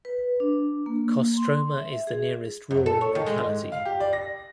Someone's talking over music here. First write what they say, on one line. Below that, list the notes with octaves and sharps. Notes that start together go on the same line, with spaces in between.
Kostroma is the nearest rural locality.
B4
D4
A#3
C6
E5
G#4
F#2
A4
C#5
D#3
G#3
G#2
F5
G4
D5
A#6